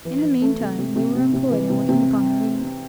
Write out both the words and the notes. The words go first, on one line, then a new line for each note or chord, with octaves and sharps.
In the mean time we were employed in working upon the rigging.
E3
E3
A3
C3
C3
C3
C3
C3
E3
C3
C3